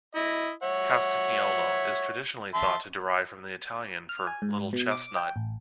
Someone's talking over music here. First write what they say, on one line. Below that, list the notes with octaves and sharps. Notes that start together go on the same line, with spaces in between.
Castaniolo is traditionally thought to derive from the Italian for "little chestnut".
E4 D#5
C#5 E5 F#5
E5 A5 C6
F6
G#5
G#2
B2
D6
G5
A1